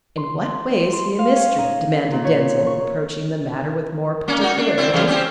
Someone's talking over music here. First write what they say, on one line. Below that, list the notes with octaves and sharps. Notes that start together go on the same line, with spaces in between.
"In what way is he a mystery?" demanded Denzil, approaching the matter with more particularity.
C6
C6
F5
C#4
D#4
A#2
C#5
C#6
A#3 C#4
D#4 F#4
D4
C4 E4
C#3 E3 G3
C4 C#4 G4